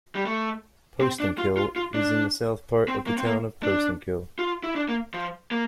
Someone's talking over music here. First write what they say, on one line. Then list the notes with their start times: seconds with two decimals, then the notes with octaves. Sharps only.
Poestenkill is in the south part of the Town of Poestenkill.
0.15 G3
0.26 A3
1.01 C4
1.20 D4
1.38 F4
1.57 F4
1.76 F4
1.94 D4
2.88 C4
3.07 A#3
3.18 C4
3.26 A#3
3.63 D4
4.39 F4
4.64 E4
4.76 D4
4.89 A#3
5.14 F3
5.51 A#3